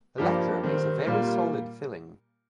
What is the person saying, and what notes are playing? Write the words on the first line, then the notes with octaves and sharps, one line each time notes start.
The latter makes a very solid filling.
G2 F3 A#3 D4 G4
D#3 G3 C4
A#2 G3 A#3 F4